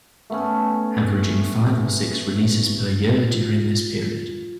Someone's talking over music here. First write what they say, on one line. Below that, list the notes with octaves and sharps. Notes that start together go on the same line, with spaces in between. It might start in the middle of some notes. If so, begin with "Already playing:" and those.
Averaging five or six releases per year during this period.
A3 B3 C#4
F4